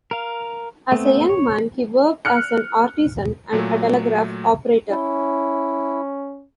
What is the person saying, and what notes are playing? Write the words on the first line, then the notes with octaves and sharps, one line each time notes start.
As a young man he worked as an artisan and a telegraph operator.
A#4 F5
A3 B3 C4
C#5
F6 F#6 C#7
A#2 F#3 A3
C#4 E4